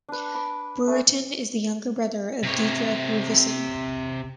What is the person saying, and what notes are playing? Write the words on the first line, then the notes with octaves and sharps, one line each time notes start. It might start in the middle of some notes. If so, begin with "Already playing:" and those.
Brereton is the younger brother of Deirdre Grusovin.
D4 B4
B5 D6
A3 D4 G#5
C3 C#5